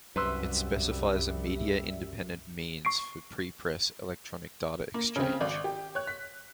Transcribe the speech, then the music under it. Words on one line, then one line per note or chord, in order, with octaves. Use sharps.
It specifies a media-independent means for prepress electronic data exchange.
C2 F#2 G3 B4 E5 C6 E6
C#6 C7 D7
A#3
C#3 C4
G#1 D5
G4
C#5 F#6
B6